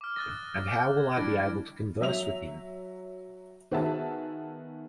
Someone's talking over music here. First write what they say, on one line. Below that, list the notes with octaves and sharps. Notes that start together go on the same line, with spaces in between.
And how will I be able to converse with him?
D6 F6
D#6 F#6 A6 A#6
D6 G6
G#6
G3 D4 E4 A#6 D7
F#3 E5 F7
D#3 B3 F#4 G#4 E5 A5